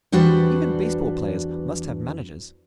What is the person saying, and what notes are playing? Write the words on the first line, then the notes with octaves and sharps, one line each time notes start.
Even baseball players must have managers.
E2 G3 D4 F#4 B4 C5